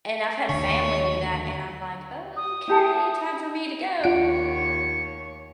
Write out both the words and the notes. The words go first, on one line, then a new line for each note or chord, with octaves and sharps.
and I've had family do that, and I'm like, "Okay, time for me to go."
D#2 D3 C#5
D#6
E4 G4 A5
D#2 F4 C#5 F#5 D7